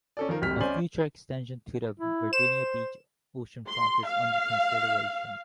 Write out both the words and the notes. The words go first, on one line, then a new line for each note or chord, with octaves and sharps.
A future extension to the Virginia Beach oceanfront is under consideration.
C#4 A4 D5
D#3 F3 A#4
D1 G#1 G3 F6 B6
C#2 C#4 C5 D5 G#5 F#7
E4
C5 E7
C6
F5